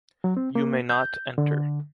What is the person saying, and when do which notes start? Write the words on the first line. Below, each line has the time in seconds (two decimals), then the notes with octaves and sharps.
You may not enter.
0.24 F#3
0.37 C4
0.55 A#3
0.90 G6
1.38 D3